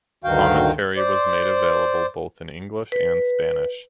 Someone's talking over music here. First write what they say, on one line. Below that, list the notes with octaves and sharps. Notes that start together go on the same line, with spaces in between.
Commentary was made available both in English and Spanish.
D2 G2 D#3 F#4 F5 G5
C5 D5
B4